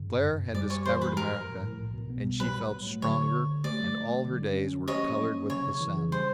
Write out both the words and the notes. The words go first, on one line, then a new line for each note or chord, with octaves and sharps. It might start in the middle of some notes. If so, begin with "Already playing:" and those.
Claire had discovered America, and she felt stronger, and all her days were colored with the sun.
Already playing: G2 C#3
F#2
F#2
F#2
G3 D5
G3 C#5
E3 C5
E3 B4
F3 A#4
A2
A2
A2
C2
B2
B3
G3
F#3 B4
A2
F#3
A3
D3 C#5
D3
D3
D3
A3 D5
F#3
A3
F#3
D3
C#4
C#4
F3
C#4 C#5 D#5
A#3
F#3
C#4
C#3 C#5
C#3
E3
C#3
G3 C5